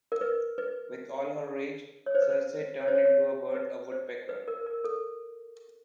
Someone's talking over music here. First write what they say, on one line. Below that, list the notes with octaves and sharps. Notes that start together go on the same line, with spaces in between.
With all her rage, Circe turned into a bird, a woodpecker.
A#4
B4
B4
C#5
C5
B4
C5
C#5
C5
C#5
C#5
B4
C5
B4
A#4
A#4
A4